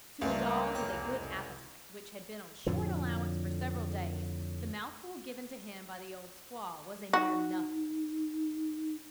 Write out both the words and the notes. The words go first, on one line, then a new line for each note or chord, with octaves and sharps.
To a dog with a good appetite which had been on short allowance for several days, the mouthful given to him by the old squaw was a mere nothing.
C#2 G2 A#2 A3 A#3 F4
C2 F2 C3 C#4 G4
F2 A2 D3
D#4 F#4